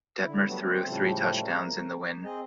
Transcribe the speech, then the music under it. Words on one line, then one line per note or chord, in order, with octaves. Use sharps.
Detmer threw three touchdowns in the win.
D3 E4
F#3 G3 A3 B3
C4
A2 C#3 F3 G3 A3 A4
A#4
C4 G#4 D#5